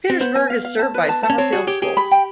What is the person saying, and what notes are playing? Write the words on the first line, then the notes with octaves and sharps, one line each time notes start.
Petersburg is served by Summerfield Schools.
C4
B3 C5
G#5
F5
F5
A5
B4
A5
A5
C#4
C4 C#5
F#4 G#4
G4 C#5
G4 G#4
B5
G5